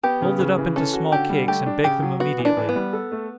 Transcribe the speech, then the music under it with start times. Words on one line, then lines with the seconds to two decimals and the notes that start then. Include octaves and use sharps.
Mould it up into small cakes, and bake them immediately.
0.03 B3 G4
0.22 C#3
0.39 C#3
0.58 E3
0.76 C#4 A4
0.93 F#4
1.11 D3 G4
1.30 G3
1.48 A3 G4
1.66 D4
1.84 C#3 G4
2.02 F#3
2.20 B3 F#4
2.38 E3
2.45 D4
2.57 E3
2.69 B3
2.76 G3
2.93 A4
3.12 A3